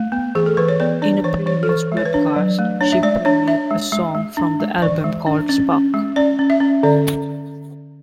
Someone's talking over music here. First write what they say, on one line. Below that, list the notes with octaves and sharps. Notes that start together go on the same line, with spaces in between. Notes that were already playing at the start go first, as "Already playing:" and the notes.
In a previous webcast, she premiered a song from the album called "Spark".
Already playing: A3
B3
E3 G#4
A4
E3 B4
C#5
B3 D5
D4 D5
E3 C#5
E3 C#5
A4
E3
G#3
C#5
B4
D4 C#5
F#3
A3
D4 C#5
E5
G#3 D5
D4 C#5
D4 E5
G#3
G#3
G#3
D4
G#3
E3 D5
G#3
D4
C#4
C#4
G#3
C#4 D5
C#4
E5
C#4
D3 D5